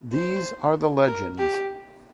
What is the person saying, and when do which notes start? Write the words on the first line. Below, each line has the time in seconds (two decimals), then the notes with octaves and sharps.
These are The Legends.
0.13 C5
1.07 A#4
1.39 G4